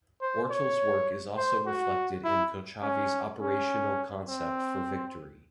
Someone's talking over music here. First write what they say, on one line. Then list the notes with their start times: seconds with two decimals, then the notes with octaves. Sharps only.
Ortal’s work is also reflected in Kochavi’s Operational Concept for Victory.
0.21 C5
0.50 C#5
1.37 C5
1.66 F#4
2.25 E4
2.82 C#4
3.41 C#4
4.29 C4